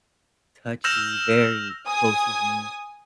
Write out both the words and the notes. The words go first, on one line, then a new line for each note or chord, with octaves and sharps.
touchy, very close with me,
E6 F6 G6 A#6 E7 F7
G#5 D#6